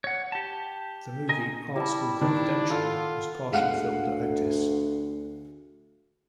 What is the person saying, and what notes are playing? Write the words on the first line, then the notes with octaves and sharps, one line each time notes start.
The movie "Art School Confidential" was partially filmed at Otis.
C#5 F#5
G4 A5
G#4 A#4 D#5 G#5
G3 E4 A5
D#3 D4
F4 A4 F#5
D2 G#3 F5 F#5